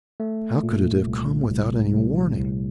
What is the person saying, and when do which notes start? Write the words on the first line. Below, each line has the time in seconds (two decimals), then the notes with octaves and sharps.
'How could it have come without any warning?
0.20 A3
0.63 A#2
1.06 C2
1.50 C2
1.93 C2
2.37 C2